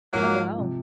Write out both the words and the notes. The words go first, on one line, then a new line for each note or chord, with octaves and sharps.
Oh, wow.
G#2 F3 F#3 G#3 A#3
C3 F3